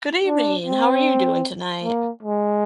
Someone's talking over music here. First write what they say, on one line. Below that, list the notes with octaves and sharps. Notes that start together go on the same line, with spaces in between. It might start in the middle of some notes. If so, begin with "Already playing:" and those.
Good evening, how are you doing tonight?
D4
C4
A#3
G#3